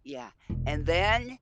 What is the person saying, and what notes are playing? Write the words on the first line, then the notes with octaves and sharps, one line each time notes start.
Yeah, and then,
E1 D2